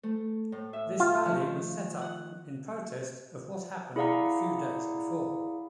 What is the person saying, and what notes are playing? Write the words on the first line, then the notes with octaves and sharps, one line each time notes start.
This rally was set up in protest of what happened a few days before.
A3
A2
E5
F4
D#3 F3
F#5
E4 G#4 D5 F5 F#5 A#5